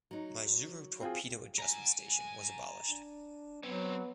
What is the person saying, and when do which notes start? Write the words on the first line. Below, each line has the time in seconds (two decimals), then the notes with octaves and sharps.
Maizuru torpedo adjustment station was abolished.
0.11 F#3 D#4
1.01 C4 F4 G#4
1.59 G#5 A#5
2.89 D4
3.64 F#3 B3 C4 C#5